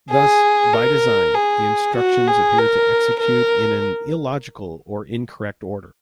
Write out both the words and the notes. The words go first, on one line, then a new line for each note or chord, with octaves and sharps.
Thus, by design, the instructions appear to execute in an illogical or incorrect order.
G#4
A#4
G#4
F#4
G#4
A#4
A#4